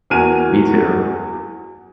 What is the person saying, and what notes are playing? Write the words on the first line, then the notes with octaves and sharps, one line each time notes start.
Me too.
E2 A#3 F#4 G#5 F6 D#7